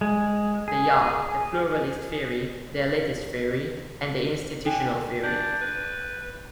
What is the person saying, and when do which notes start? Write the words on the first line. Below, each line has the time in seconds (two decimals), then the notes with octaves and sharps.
They are; the pluralist theory, the elitist theory, and the institutional theory.
0.01 G#3
0.68 G#4
4.65 D3 A4 G5 G#5
5.23 D4 G6 A6
5.61 B4